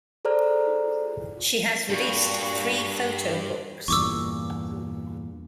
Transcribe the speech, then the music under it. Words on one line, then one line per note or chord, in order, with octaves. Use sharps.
She has released three photobooks.
G#4 A4 C5 D5 A#5 F6
G2 A#2 F#4 C#5
E2 G2 A#2 C#6 D6 E6